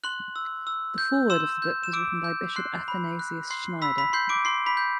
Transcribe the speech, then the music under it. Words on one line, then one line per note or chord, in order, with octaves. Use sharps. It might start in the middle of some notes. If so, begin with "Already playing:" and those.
The foreword of the book was written by Bishop Athanasius Schneider.
C6 F#6 F#7
E6
E6
G6
C6 E6 E7
G6
E7
D6 E6 D7
G6
C6 F#6 C7
B5
F#6
C6 C7
B5 E6 B6
B5 B6
C6 G6 C7
D6 D7
C6 C7
B5 B6
G6